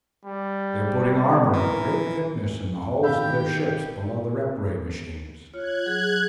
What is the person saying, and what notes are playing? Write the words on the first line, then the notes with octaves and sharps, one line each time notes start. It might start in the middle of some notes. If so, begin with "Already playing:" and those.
They're putting armor of great thickness in the hulls of their ships below the rep-ray machines.
G3
E3 A#4
D#3 G4 F5 B5 E6 G6
F4 C#5 F#6 G#6
F#3 G#4